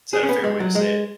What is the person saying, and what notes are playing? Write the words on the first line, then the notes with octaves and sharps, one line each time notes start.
Is that a fair way to say it?
G#4
C#4
B3
G#3
F#3
G#3